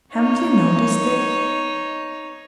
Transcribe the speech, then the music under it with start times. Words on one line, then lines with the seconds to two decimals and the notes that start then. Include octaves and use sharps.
Haven't you noticed it?
0.14 D#4 C#5